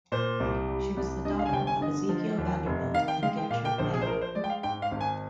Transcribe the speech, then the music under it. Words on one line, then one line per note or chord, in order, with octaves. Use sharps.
She was the daughter of Ezekiel Vanderbilt and Gertrude Meng.
A#2 C5
C2
G3
C2
G2 D#5
F5
G#5
G1 G5
G#5
D3 D#5
F3
D#2
F1
D#3 F5
G5
G#3 F5
G5
A#2 F5
G5
A#1 C5
G#4
C5
F3 A#4
C5
G#3 D5
G5
F5
G#2 G5
F5
G#1
G#5